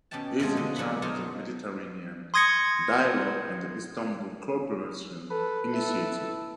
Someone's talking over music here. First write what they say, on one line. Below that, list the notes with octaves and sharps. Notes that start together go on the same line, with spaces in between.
He is in charge of the Mediterranean Dialogue and the Istanbul Cooperation Initiative.
B2 C#4 G4 G5 A5
B2 F3 F#3 G#3 A3
D3 D#5
E2 F#3 D4 B4 B5
F#3 D#4 A4 A#4 C5
C6 D#6 G#6 A#6 C#7
A4 B4
E4 A4